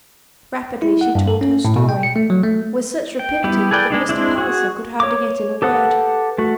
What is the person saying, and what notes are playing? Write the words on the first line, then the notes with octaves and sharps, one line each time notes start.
Rapidly she told her story,--with such rapidity that Mr. Palliser could hardly get in a word.
E4
F#5
G2
A4
C#4
A2
B2
G5
C#7
A3
F#3
A3
G5
G3 B3 E4 G4
G#4 A4 B4 D5 G5
G#3 D4 D#4
G#3 C4 D4 E4
F#4 G#4
C#5 D6
G4 A4 B4 F#5 D#6
A3 F#4